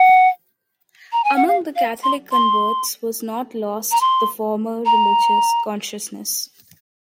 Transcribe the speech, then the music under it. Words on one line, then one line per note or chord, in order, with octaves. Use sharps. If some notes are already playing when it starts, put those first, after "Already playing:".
Among the Catholic converts was not lost the former religious consciousness.
Already playing: F#5
A#5
G#5
F#5
F5
F5
C6
C6
A#5
C6
A#5